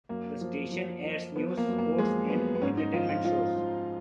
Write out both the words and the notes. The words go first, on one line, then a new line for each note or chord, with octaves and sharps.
The station airs news, sports, and entertainment shows.
F#2 A#3
F3
F3
F3
F3 B3
A#3
F#2
A#3
F3 G#3
F#2 B3
B3
G#2 C#4
D#4
F3 F4
F4
F3 F4
F3